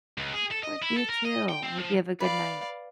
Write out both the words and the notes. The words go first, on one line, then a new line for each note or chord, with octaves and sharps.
Of course, you too! I hope you have a good night.
C#2
G#4
A4
D#5
E4
A4
A#4
D#5
G5
C4
F3
B4 D5 F5